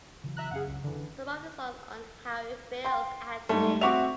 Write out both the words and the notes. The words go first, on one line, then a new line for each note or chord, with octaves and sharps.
Some of the songs on "How It Feels" actually.
C#3 E3 F#3
E5 A#5 F#6
F#2 C#3 C#4 G#4 F5 F#5
C#2
D3 E3
G5 C6
G#2 G3 A3
C4 F#4 E5 C#6 D6 F7